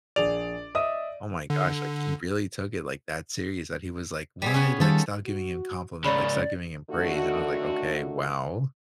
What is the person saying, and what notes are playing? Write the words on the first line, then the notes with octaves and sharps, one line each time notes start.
oh my gosh. Like, he really took it like that serious that he was like, why? Like, stop giving him compliment. Like, start giving him praise. And I was like, okay, wow.
A#1 G#4 D5 F7
D#5 E5 D#6
D3
G3 B3 G#4
B3 C#4
D#3 G3 F4 A4
F#4
G#2 C#3 C#4 A#4 C#5 D5 B5
D3 D#3 A3 F#4